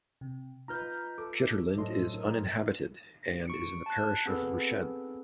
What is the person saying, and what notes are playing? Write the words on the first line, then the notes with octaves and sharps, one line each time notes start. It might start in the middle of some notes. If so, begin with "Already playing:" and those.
Kitterland is uninhabited and is in the parish of Rushen.
C3
D#4 F4 B4 A#5 F6 G6
A4 D6
A2 F#3 A4 C5 D#5 C6
D#4 A#4
C#6 C#7 D7
A5 F#6
B3 C4 G#4 A4 B4